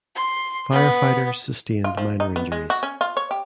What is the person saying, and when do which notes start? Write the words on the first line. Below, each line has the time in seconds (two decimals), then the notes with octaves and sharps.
Firefighters sustained minor injuries.
0.16 C6
0.72 B3
1.84 F4
1.97 F3
2.20 D#4
2.36 B3
2.52 G#3
2.70 F#4
2.83 C#4
3.01 F4
3.17 C#5
3.31 G4